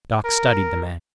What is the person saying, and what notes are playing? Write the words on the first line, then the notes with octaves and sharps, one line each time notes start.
Doc studied the man.
A#4